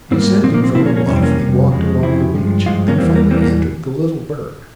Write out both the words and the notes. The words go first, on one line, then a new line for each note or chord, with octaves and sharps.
Descending from the bluff, he walked along the beach, and finally entered the little burg.
G#2 G3 A#3 C4
A#2 F3 A#3 C4
A#3
C4
A#2 F3 A#3 C4 E4
A#3 C#4
A#3 C#4
F2 C3 E3 G3 C#4
C4
A#3 C#4
F2 C3 G3
F2 C#3 F3 G#3
F2 C#3 F3 C4 E4
G2 F3 G#3
G2 F3 G#3 F4
A#3 C#4
E2 E3 G3 A#3 C4
A#3
E2 E3 G3 A#3 C4
A#3